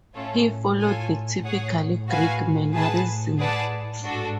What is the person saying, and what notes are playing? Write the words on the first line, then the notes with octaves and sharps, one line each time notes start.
He followed the typical Greek mannerisms.
A2 A3 C#4 F4 A4 C#5
F4 A4 C#5 G#5
A2 G#4 C#5 F#5
F#4 B4 F5 G#5
G#4 B4 F#5 A5
G#4 B4 D5 F#5 A5
G#2 D4 F#4 A4